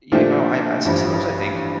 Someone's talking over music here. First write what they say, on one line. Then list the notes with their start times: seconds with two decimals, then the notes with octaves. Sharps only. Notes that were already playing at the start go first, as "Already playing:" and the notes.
You know, I I s sometimes I think
0.12 A#2 F3 A3 D4 G4
0.85 A1 G2 F3